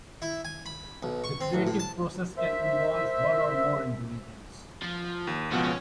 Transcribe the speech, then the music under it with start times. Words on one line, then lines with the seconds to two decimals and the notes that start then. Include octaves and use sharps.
The creative process can involve one or more individuals.
0.22 E4
0.45 G#5
0.66 B5
1.03 B1
1.24 C#6
1.41 C4
1.53 A1
1.67 A2
1.79 A5
2.38 A#4 C5 E5
4.82 F3
5.27 D#2
5.52 C#2 B2 F3 B3
5.64 C#4